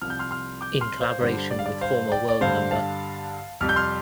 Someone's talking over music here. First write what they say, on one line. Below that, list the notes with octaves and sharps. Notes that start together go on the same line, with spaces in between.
In collaboration with former world no.
C2 C3 F3 F6
G6
C6 F6
C6 F6
D6 G6
C6 F6
C5 F5
G2 D3 G3 C5
D5
F5
D5
C5 F5
D5 G5
D5
G2 D3 G3 C5 F5
F5 A5
F2 C3 G3 F6
G6
C6 F6